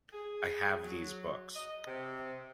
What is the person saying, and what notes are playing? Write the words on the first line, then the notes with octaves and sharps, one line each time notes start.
I have these books.
G#4
F#3
D#5
C3